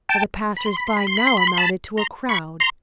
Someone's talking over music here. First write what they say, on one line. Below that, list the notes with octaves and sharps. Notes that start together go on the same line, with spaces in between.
For the passers-by now amounted to a crowd.
G5 A5
B5
C6
B5
C6
B5
C6
B5
C6
B5
C6
A5 B5
A#5 C6
B5 C#6
A#5 C6